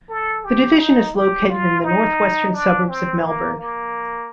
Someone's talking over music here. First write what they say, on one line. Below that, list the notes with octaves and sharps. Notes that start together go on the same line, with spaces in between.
The division is located in the north-western suburbs of Melbourne.
A4
G4
D#4
G4
F4
D#4
D4
C4
A#3
A#3